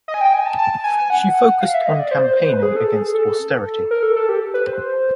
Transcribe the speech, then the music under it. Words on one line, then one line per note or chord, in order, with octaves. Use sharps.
She focused on campaigning against austerity.
D#5
G#5
G5
G#5
A5
A5
G#5
G#5
F#5
F5
E5
D#5
D5
C5
C5
C5
B4
G#4
A4
G#4
A4
A#4
A4
A4
G4
B4
C5